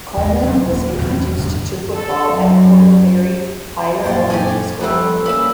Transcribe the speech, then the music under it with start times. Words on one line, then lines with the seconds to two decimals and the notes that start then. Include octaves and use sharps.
Coleman was introduced to football at Port Fairy Higher Elementary School.
0.17 D#2 G#3
0.43 C3 F#3 C#4
0.69 D#1 D#2
1.01 E2 B2 G3 C#4
1.38 F#2 D3 D#3
1.96 A4
2.34 F#2
4.04 F#2 A#2 C5 C#5 G5 A5
4.30 F2 G4 D5 G#5 C#6
4.81 B2 F3 G3 A3 C4 B4
5.26 A#2 A#3 C#4 B5 E6